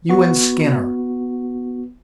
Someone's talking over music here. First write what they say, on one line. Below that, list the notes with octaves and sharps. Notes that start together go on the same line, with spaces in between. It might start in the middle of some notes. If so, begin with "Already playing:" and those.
"You and Skinner."
B3 F#4